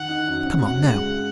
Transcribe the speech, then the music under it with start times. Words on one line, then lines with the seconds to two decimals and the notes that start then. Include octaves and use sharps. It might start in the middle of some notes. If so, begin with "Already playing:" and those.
"Come on--now."
Already playing: D#3 F#5
0.08 D#4
0.28 F#2
0.46 C4
0.65 F#2 F#5
0.83 G#3
1.02 C#3